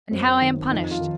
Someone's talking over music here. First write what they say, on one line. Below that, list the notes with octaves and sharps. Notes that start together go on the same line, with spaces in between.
And how I am punished!
F#2 C4
D#3
F2 D#4
F4
D#3